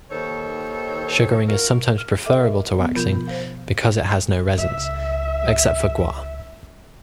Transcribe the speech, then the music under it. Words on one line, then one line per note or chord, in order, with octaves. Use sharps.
Sugaring is sometimes preferable to waxing because it has no resins, except for guar.
D#2 D#3 A4 C5 C#5
F4 F#4 A#4
F6
A4 D#5 E5 D6
A#4
B3
B2 F3 F4 A#4 B5 G6
C5 F5
C#2 E5